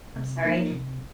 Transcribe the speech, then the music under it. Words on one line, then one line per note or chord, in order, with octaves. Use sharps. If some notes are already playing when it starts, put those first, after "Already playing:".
I'm sorry,
C3
F3 A#3 D#4 A#4
C3